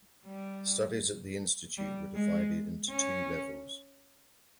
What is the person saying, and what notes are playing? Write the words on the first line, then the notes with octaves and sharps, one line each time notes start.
Studies at the Institute were divided into two levels.
G3
G3
G#3
C#4